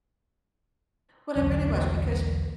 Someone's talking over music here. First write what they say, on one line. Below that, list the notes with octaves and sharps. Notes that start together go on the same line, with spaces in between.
What it really was because,
B1 E2 D3 F#3